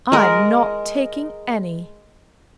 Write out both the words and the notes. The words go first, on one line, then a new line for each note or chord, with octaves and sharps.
I'm not taking any.
G#3 A#4